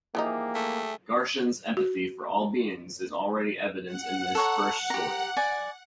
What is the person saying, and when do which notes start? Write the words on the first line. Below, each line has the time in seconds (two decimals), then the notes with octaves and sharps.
Garshin's empathy for all beings is already evident in this first story.
0.15 E3 F3 A#3 D#4 G4 G#4 E5
0.55 A3
1.77 F#4
3.85 F#5
4.35 A4 C#5 A#5
4.90 G4 A#5
5.37 D5 G#5